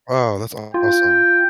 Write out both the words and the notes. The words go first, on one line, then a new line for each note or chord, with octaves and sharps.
Oh, that's awesome.
F4 G5